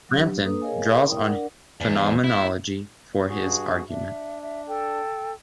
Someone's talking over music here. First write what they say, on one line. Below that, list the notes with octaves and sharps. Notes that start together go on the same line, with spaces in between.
Frampton draws on phenomenology for his argument.
F#3 D4 G4
A#3 D4 A4 B4 D#6
G#4 A#4 C#5 D#5 F5 G#5
E4 A#4 G5 D#6
D4 A#4 D5 F#5
E2
E4
G2 F#4 G#4
D4 E5
E5
A4 G5